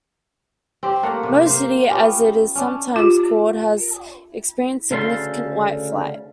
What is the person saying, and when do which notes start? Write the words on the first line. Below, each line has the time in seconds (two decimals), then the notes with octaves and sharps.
"Mo City", as it is sometimes called, has experienced significant "white flight".
0.83 C4 G4
1.03 A3 A#3 F#5
1.23 C3
1.46 A#3 C5
1.90 B3 C#4 F4 G4
2.55 C#4 D4
2.96 F4 G4
4.91 D2 C#3 A4 F5 B5 C6